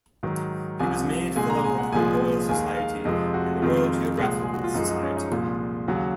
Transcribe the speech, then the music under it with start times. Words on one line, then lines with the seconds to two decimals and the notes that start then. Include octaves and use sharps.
He was made fellow of the Royal Society and the Royal Geographical Society.
0.23 G#2 D#3 F#3
0.79 C2 C3 F3 G#5
1.36 C2 A#2 G#3 G#5
1.50 A#5
1.64 G#5
1.78 F#5
1.92 C2 A#2 F3 G#3 G#5
2.49 D#2 D#3 G#3 G#5
2.77 F5
3.05 F2 C3 F3 G#3 D#5
3.34 F#4
3.62 F2 C3 D#3 G#3 F4
4.18 C2 A#2 F3 G#3
4.43 G#4
4.53 F#4
4.64 F4
4.74 F#2 F3 G#3 D#4
4.89 D#4
5.03 C#4
5.17 D#4
5.31 C2 A#2 F3 G#3
5.88 D#2 C#3 F#3 F#4